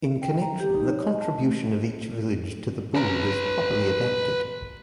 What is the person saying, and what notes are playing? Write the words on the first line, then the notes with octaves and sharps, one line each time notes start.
In connection the contribution of each village to the Boule is properly adapted.
G5
A#5
G4
D#4
C#5
D#5
A5
A3
B4 A#5